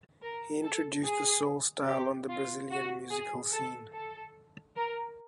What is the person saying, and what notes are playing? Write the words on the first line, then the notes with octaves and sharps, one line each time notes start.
He introduced the soul style on the Brazilian musical scene.
A#4
A4
G#4
G4
F4
F#4
G#4
A4
A4
A#4